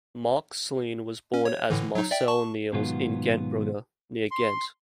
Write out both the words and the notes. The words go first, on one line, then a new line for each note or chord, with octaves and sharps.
Marc Sleen was born as Marcel Neels in Gentbrugge, near Ghent.
C#4
C#5
A2 D3 E3
F#3 D#4
D5 E5 G5
A5 C#6
G#2 B2 D#3 F#3 B3 F4
C6